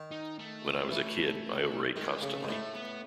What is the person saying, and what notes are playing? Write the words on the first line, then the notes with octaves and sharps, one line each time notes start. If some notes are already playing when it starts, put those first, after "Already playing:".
When I was a kid, I overate constantly.
Already playing: D#3
D#4
A3
E3
D#3 G#3
C#3 A3
G#2
A2 A3
B3